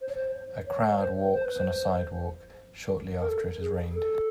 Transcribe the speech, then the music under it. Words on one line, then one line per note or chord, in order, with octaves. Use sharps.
A crowd walks on a sidewalk shortly after it has rained.
C5
C#5
C5
C#5
C#5
C5
C5
B4
C5
A#4
A4
G#4
A4